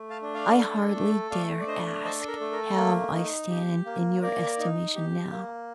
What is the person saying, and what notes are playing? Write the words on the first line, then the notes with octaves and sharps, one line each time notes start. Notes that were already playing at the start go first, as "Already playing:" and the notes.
I hardly dare ask how I stand in your estimation now.
Already playing: A3
F5 A5
D4
D5 F5
A4
A3
A3 D5 F5
D5
D4 C5 D#5
A4 C5 D#5
A#4 D5
A3
A#4
A#3
D#4
G4
A#3
A#3 A#4 D5
D#4
G4
A#3